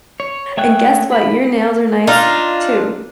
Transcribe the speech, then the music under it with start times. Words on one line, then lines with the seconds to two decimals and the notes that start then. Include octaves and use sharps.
And guess what? Your nails are nice, too.
0.20 C#5
0.57 A3 G#4 C#5 G5 F#6
1.12 B5
2.07 D4 D#4 F4